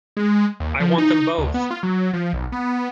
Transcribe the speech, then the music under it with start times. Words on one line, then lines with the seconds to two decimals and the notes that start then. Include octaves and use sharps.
I want them both!
0.17 G#3
0.60 D#2
0.80 F3
0.98 D#4
1.38 D2
1.54 B3
1.71 F4
1.83 F#3
2.13 F3
2.33 B1
2.52 B3